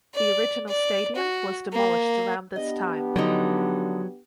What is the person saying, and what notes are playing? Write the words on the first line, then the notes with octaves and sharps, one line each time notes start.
The original stadium was demolished around this time.
D5
D5
F#4
A#3
B3 D4 G4 D#5
D3 F3 F#3 D#4